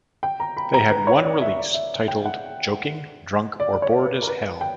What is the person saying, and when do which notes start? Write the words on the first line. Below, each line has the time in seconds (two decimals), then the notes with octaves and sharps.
They had one release, titled "Joking, Drunk, or Bored as Hell".
0.23 G5
0.40 A#5
0.57 B5
0.74 A#5
0.90 B4
1.07 C#5
1.24 D5
1.41 E5
1.57 D5
1.74 E5
2.08 G5
2.25 F#5
3.60 D5
3.82 C#5
4.05 B4
4.22 A#4
4.27 B4
4.61 G5